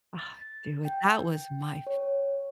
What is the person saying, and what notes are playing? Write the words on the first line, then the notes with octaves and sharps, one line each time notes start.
Ah, dude that was my
A6
G5
C#5